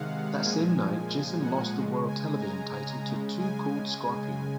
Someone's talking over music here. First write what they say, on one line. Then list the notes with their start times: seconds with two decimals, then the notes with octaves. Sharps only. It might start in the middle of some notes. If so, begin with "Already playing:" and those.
That same night, Jason lost the World Television Title to Too Cold Scorpio.
Already playing: C3 D#3 G#3 F5 F#5
0.44 A#2 F3 G#3 G#5
1.42 F#5
1.76 C#3 G#3
2.08 G#5
2.41 A#5
2.74 A#5
3.07 C#3 G#3
3.39 G#5